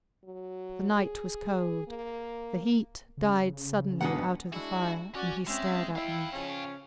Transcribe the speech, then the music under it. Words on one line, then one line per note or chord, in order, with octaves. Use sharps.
The night was cold; the heat died suddenly out of the fire, and he stared at me.
F#3
G#4
A#3
C#3
G#2 B2 G#3 B3 D4 F#5
G#3 D4 E4 F#4
C#4 F#4 D5
G#3 C4 C#4 E5
E4 F5 G5
C#3 F3 C#4